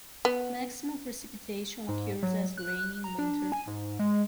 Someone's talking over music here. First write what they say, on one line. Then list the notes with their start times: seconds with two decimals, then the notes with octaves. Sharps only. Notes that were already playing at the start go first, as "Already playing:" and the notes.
Maximum precipitation occurs as rain in winter.
0.25 B3
1.88 G#2
2.23 F#3
2.57 F#6
3.04 A#5
3.19 D4
3.52 G#5
3.67 G#2
3.99 G#3